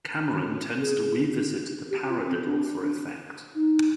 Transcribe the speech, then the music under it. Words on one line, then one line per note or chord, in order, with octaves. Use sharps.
Cameron tends to revisit the paradiddle for effect.
G#4
G4
F4
C4
D4
D#4